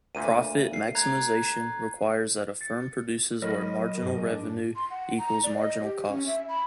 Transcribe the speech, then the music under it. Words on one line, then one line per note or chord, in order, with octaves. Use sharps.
Profit maximization requires that a firm produces where marginal revenue equals marginal costs.
D2 A#2 D#7
C7
A#5 F#6 G#6
A6 C#7
F#3 A#4 D#5 B5 C#6
G#2
D4
C6
F#5
A#5
D5
D#5
G4
C#4
E5
B5